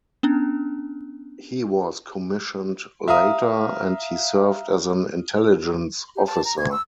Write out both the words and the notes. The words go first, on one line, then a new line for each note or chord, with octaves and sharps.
He was commissioned later, and he served as an intelligence officer.
B3 C#4 D4
E5 F5 A#5 D#6
G4
A5
A#5
G#6
E6